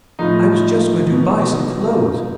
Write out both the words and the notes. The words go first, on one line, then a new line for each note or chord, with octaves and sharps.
I was just going to buy some clothes.
A2 F3 D#4
B2